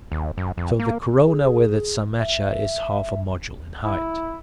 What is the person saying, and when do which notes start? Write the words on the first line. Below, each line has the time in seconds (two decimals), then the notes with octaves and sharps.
So the corona with its cymatia is half a module in height.
0.12 D#2
0.38 F#2
0.58 F2
0.79 A#3
1.26 G#4
2.19 E5
3.84 E4